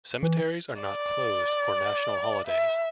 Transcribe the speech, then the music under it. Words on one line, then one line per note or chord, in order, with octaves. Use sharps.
Cemeteries are not closed for national holidays.
E3
D5
E5